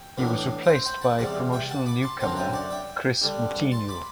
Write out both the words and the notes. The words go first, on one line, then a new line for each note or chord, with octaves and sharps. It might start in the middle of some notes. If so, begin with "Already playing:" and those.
He was replaced by promotional newcomer Kris Moutinho.
Already playing: G5
A2 E3 B3 D4
F#5
C5 E5
G5 B5
F#5 A5
E2 C3 G3 D5 F#5
E5 G5
F#5 A5
B5 D6
A5 C6
F#2 D3 F#3 C4 F#5 A5
E5 G5
D5 F#5
E5 G5
D3 G3 D4
A5 C6
B5 D6